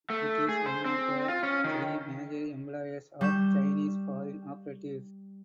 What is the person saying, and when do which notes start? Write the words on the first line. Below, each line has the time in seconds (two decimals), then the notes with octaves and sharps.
It is one of the three major employers of Chinese foreign operatives.
0.10 A3
0.49 G#4
0.66 C5
0.86 C4
1.28 F4
1.43 C#4
1.64 D#3
3.21 G3 C#6 G6 E7